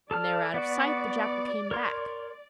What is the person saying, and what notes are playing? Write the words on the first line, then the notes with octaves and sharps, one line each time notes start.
When they were out of sight the jackal came back.
A4 D5 A5 F6
B3 F#4
A#4 C#5 C6